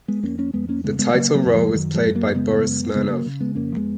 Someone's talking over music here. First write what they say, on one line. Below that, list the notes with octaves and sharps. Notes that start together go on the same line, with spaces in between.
The title role was played by Boris Smirnov.
G#3 B3
F2 A#3 C#4
A#3 C#4
F2 G#3 B3
A#3 C#4
C#3 G#3 B3
G#3 B3
C#3 F#3 A#3
F#3 A#3
F#2 A#3
F3 G#3
F#2 D#3 F#3
F3 G#3
F#2
F#3 A#3
C#3 G#3 B3
F#2
C#3 G#3 B3
F#3 A#3
C#3
G#3 B3
F2 A#3 C#4
G#3 B3